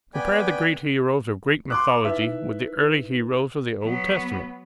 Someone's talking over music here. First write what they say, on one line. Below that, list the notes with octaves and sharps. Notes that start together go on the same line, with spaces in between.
Compare the great heroes of Greek mythology with the early heroes of the Old Testament.
B3 D5 G5 G#5 B5
C6 D6 F#6
D#4 E4 B4 E5
F#3 B3